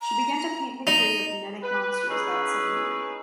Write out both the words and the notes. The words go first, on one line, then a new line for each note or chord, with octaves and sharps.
She began to paint pictures of genetic monsters that same year.
A#5
D#4
B4
C#4 D#4 E4 G#4 B4